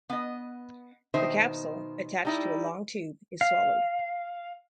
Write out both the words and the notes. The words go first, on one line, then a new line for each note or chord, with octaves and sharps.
The capsule, attached to a long tube, is swallowed.
B3 D#5
B2 D#3 D#4 C5 E5
G3 D#4 E4
F5